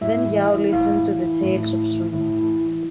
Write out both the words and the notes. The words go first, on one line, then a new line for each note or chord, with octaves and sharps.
Then Yao listened to the tales of Shun.
A2 E5
E3
E3
A2 F5
E3
E3
A2
A2
E3
A2
E3
E3